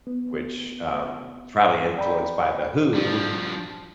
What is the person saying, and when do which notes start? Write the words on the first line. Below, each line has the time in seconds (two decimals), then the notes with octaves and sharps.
Which, um, probably influenced by The Who.
0.07 B3
1.97 D5 G5 A#5 B5
2.94 G2 F3